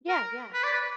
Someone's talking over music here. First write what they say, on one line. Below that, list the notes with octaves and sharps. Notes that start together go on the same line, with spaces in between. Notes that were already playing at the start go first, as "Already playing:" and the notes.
Yeah, yeah.
A#4
B4
D5
B4